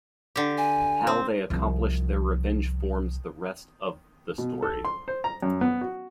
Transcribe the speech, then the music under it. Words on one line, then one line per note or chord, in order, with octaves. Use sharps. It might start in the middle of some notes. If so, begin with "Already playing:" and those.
How they accomplish their revenge forms the rest of the story.
D3 G4
G#5
C4
C2 F3
B2
A4
C6
C5
A#5
F#2
B3
F#4